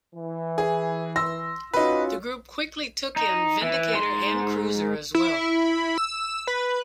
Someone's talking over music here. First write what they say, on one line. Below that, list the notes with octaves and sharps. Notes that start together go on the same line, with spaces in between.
The group quickly took in Vindicator and Cruiser as well.
E3
G#4
C6 E6 A#6
C#4 D#4 F4 F#4 B4
D#4
E3
G#2 C6
E4
E6
B4